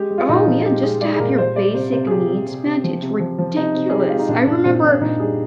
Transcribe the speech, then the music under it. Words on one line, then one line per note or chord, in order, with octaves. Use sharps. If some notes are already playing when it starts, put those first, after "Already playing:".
Oh, yeah, just to have your basic needs met, it's ridiculous. I remember,
Already playing: G#3 G4
G#3
F4
A#2 D#4
F3
G#3 G4
G#3 G#4
G#3 D5
G#4
A#2 A#4
G3 C5
G3 D5
C3 C5
C3 C5
G#4
C3 G4
C3
C3
C3
F3
C3
F3
F3
C3 D#4
C3
C3 G#4
G4
G#3 F4
D#4
A#2 D4
A#2 D4
A#2 C4
A#2 D4
A#2 D#4
G3 G#4